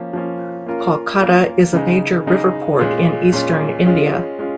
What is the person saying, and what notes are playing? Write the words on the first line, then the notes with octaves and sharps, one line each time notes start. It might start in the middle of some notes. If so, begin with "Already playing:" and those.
Kolkata is a major river port in eastern India.
Already playing: F3 A#3 C#4
F3 A#3 C#4
A#3 C#4 F4 A#4
A#3 C#4 F4 A#4
C#3 G#3 D#4
C#3 G#3 D#4
A#2 G#3 C#4
A#2 G#3 C#4
G#3 C#4 F4
G#3 C#4 F4